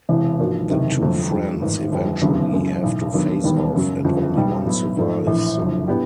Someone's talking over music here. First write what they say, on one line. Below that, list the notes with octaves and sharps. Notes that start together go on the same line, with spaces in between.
The two friends eventually have to face-off and only one survives.
E1 E2 C3 E3
G#2 F3 A#3 D4 F#4
F#1 E2 C3 D#3
G1 F2 D3 F#3 A3
F2 D3 G3
A1 G#2 D#3
G1 F2 D3 G3
E1 D2 C#3 F#3 B3
F#1 F#2 C#3
B1 A2 E3
D#2 D3 F#3 B3
E1 D#2 D#3 G3 B3
F#2 C#3 F#3
G1 F2 C#3 F3
B1 B2 G3
A2 F#3 B3 E4
G#2 F3 A3
A#1 A2 E3
F#1 F2 D3 F#3
A2 B3 D4 G4